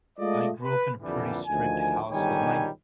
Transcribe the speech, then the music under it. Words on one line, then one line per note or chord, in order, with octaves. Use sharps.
I grew up in a pretty strict household, my
G#3 A3 F4 D5 D#5
B4
F2 A#2 D3 E3 G3
D2 D#3 F3 G#5
G1 C#2 D#3 G3 C#5 G#5